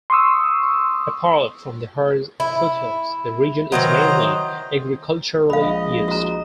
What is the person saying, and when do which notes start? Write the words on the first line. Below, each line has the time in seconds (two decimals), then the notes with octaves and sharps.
Apart from the Harz foothills the region is mainly agriculturally used.
0.10 C6 C#6 D#6 E6
2.40 E4
3.72 D#3 E3 F#3 C5 D#5 A#5
5.50 A#1 G#3 D#5 F5 B5
6.08 F#4 A#5